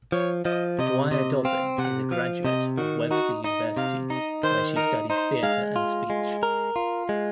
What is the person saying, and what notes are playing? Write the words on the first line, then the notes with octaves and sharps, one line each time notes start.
Dwyer-Dobbin is a graduate of Webster University where she studied theater and speech.
F3 C#5
F3 D#5
C3 D#5
C3 D#5
C4 F5
C3 F#5
F3 F5
C3 D#5
D#3 F#4
D#4 F#4
D#4 D#5
C3 F5
D#4 D#5
D#3 C5
D#4 A#4
D#4 C5
G#3 F5
F4
G#3
A#4
F4
G#3